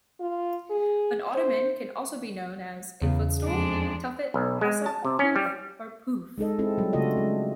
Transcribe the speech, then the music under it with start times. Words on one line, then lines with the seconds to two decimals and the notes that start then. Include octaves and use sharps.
An ottoman can also be known as a "footstool", "tuffet", "hassock", "pouf" or "pouffe".
0.20 F4
0.70 G#4
1.34 C5
3.02 E2 C#3
3.44 F2 G#3 D4
4.34 B1
4.61 G#3
4.86 A5
5.05 C3
5.19 C#4
5.36 G3
6.38 G#3 D#4 A4 D#5
6.59 G#3 C4 E4 G#4 A4
6.78 F#3 G3
6.93 C#3 A3 F4 F#4 A4 D#5
7.17 G#3